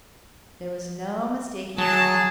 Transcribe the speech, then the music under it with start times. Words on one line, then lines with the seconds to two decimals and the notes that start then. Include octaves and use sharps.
There was no mistaking him.
1.78 F#3 G#4 A5